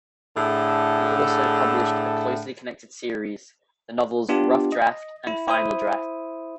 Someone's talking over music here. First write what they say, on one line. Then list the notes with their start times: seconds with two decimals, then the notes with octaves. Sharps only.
He also published a closely connected series, the novels "Rough Draft" and "Final Draft".
0.37 A2 D3 E4 G#4 A4
4.29 B3 D4 F4 G4
4.72 D#5
5.27 E4
5.48 E4 C5 D#6